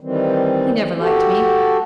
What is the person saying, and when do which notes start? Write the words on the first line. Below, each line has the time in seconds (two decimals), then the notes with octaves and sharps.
He never liked me.
0.01 D#3 E3 G3 C4
0.99 F#4 G4 A4